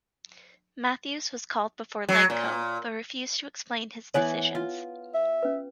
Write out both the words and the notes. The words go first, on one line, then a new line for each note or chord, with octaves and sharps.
Matthews was called before LegCo but refused to explain his decisions.
F#3
A#2
E3 B3 B4 C#5 G#5
F4
E5
C#4 B4